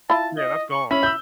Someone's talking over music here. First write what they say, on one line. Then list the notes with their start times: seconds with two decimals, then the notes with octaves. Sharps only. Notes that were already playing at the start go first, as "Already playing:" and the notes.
Yeah, that's gone.
0.10 E4 F4 A5
0.37 D#5
0.71 C#6
0.91 C#4 E4 B5
1.03 E4 E6 G6